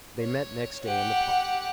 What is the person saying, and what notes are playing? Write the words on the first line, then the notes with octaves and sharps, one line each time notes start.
They met next day in the park.
C#5
G4 F#5